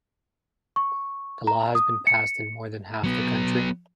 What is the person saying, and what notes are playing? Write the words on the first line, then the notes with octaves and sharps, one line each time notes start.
The law has been passed in more than half the country.
C#6
A#5
D#6
C#7
F#3 B3